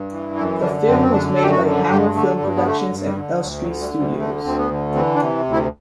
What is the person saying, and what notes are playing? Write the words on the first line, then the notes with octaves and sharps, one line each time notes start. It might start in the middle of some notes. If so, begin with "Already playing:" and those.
The film was made by Hammer Film Productions at Elstree Studios.
Already playing: G2
E3
F#2 E4
D3 D4
F#2 C4
C4
D3 D4
A4
F#2 G4
F#4
D3
G2 G4
D3 A3
G2 G3
B3
D3 A3
G2
G3
D3
D2 F#3
F#3
D3
G3
D2
G3
D3 A3
D2 C4
B3
D3
E3 C4
D4
C3
D2
E4